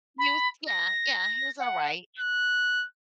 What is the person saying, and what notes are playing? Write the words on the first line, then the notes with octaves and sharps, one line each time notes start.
use Yeah, yeah, he was all right.
B5
A#6
F#5
F#6